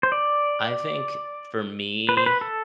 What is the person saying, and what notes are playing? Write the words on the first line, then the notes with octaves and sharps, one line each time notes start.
I think, for me
C5
D5
B4
C5
B4
A4